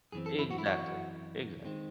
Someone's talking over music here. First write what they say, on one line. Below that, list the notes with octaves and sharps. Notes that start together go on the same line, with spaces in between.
Exactly. Exact
F#2 E3 C4 G#4
A4
E4
F#4
E4
F#4
D#3 G#3 C4